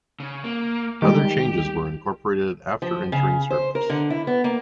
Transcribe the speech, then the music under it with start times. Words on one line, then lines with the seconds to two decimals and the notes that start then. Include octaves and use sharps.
Other changes were incorporated after entering service.
0.20 C#3
0.44 A#3
1.02 D#3 G3 G#3 G4
2.82 F3
3.12 C#3
3.50 C5
3.75 A#4
3.90 D3
4.10 E4
4.27 B3
4.44 A#3